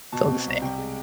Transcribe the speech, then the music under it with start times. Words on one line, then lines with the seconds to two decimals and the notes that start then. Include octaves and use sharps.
it's all the same
0.12 B2 A5
0.29 C4
0.46 C2
0.62 C3 G5
0.78 G#3